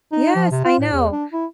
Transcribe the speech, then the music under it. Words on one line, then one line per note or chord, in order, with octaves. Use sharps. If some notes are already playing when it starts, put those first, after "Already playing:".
Yes, I know,
D#4
F3
C3
F4
A2
E2
D4
E4